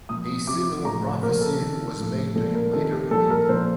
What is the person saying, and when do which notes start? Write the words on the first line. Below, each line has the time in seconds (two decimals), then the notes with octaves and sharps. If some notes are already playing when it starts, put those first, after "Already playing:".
A similar prophecy was made to him later in England.
0.09 A#2 F3 D#6
0.47 C3 F3 D6
0.85 A2 F3 A#5
1.04 C5
1.23 A#2 F3 A#4
1.41 A4
1.61 C3 D#3
1.98 A2 F3
2.35 A#2 F3 A4
2.54 A#4
2.73 C3 D#3 A4
2.92 G4
3.11 A#2 F3 A4
3.30 A#4
3.49 A#2 F3 C5